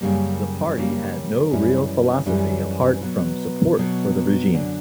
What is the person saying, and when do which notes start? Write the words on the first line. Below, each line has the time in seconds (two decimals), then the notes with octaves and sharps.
The party had no real philosophy apart from support for the regime.
0.01 F#2 C#3 G3 A#3
0.76 F#2 C#3 G3 A#3
1.51 F#2 E3 G3 C#4 E4
2.26 F#2 E3 G3 C#4 E4
3.01 B2 F#3 B3
3.77 B2 F#3 B3
4.53 F#2 D3 F#3